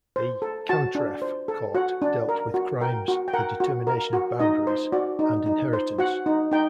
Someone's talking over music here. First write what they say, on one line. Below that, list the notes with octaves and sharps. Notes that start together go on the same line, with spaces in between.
The "cantref" court dealt with crimes, the determination of boundaries, and inheritance.
C5
A4
F#4 A5
D4
C5
A4
F#4 F#5
D4
A#4
F#4
A#4 G5
F#4
G5
A#4 F#5
F#4
A#4
F#4
D#4 D#5
C5
F#4 D5
D#4
D#4
C5
F#4 F#5
D#4
D#4 G5